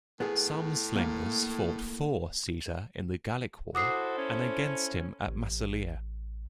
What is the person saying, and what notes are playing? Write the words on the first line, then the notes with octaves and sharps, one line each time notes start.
Some slingers fought for Caesar in the Gallic War, and against him at Massalia.
A2 B3 G#4
A#3 F5
E4 F#4 A4 C5 D6 D#6 C7
C#4
A1